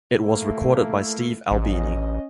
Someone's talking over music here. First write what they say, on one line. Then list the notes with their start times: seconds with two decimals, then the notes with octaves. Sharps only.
It was recorded by Steve Albini.
0.16 A3 A#3 E4
1.51 A1 C#4 D#5